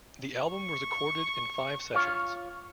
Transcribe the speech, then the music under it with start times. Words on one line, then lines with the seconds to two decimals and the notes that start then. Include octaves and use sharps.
The album was recorded in five sessions.
0.52 C#6
1.94 F4 C#5